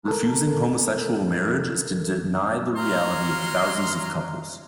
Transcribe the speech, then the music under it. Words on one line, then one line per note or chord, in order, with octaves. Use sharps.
Refusing homosexual marriage is to deny the reality of thousands of couples.
A4 A#4
F#3 A#5 C6 F6